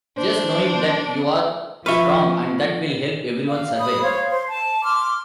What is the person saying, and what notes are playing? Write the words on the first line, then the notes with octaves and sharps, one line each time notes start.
Just knowing that you are strong and that will help everyone survive.
D4 C5
F3 F4 B4 E5 C#6 F6
F5
B5 D#6
C5 C#5 F5
C5
A5
C6 D6 F6